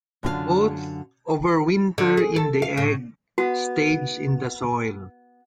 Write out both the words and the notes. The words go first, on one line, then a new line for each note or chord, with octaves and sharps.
Both overwinter in the egg stage in the soil.
F#2 D3 F4 F#4 F5
D3
G#4
A4
F5
A2
B3 F#4